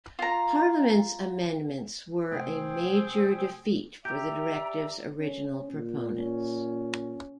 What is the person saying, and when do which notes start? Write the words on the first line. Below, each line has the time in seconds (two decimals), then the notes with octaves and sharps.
Parliament's amendments were a major defeat for the directive's original proponents.
0.19 F4 A#5
2.31 C3 A3 C4 G#4 G5
4.05 G4 D5 E5 A#5 G6
5.18 C#4
5.71 A#2
6.18 C#4